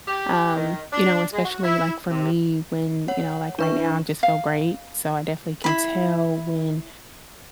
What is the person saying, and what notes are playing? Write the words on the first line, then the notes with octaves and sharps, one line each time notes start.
um, you know, especially, like, for me when, you know, like, right now, I just feel great, so I definitely can tell when,
G4
D#3
D4
G#3
F#4
E4
C3
C#5 F#5
E3 D4 B4 C#6
F5
E4 B5